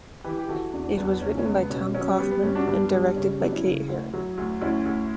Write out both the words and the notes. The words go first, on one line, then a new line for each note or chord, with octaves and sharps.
It was written by Tom Kauffman and directed by Kate Herron.
E3 G4 B4
G4
E3 F#4 A4
E2 D4 F#4
E2 B3 D4
C#2 C#4
C#4
C#2 B3
B3
B2 C#4
F#3 C#4
G3 B3
B3
G2 C#4
D4 F#4
G2 B3 D4
G3
C#3 C#4
C#4
F#3 B3 D4
C#4 E4
C#3
D2
F#3
D2
D2 C#4 E4
D2